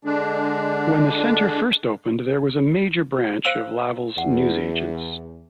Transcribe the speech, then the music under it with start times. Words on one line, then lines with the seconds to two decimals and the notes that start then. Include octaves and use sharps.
When the centre first opened, there was a major branch of Lavells Newsagents.
0.05 D3 G#3 D4
3.45 C5 F5 E6
4.18 E2 F#5